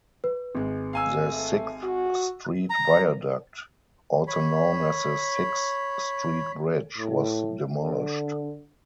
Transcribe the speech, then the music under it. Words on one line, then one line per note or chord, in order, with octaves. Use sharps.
The Sixth Street Viaduct, also known as the Sixth Street Bridge was demolished.
B4
G#1 G#3
F5 G#5 E6
A3
F#4
A#5
C#5 B5
A2
D3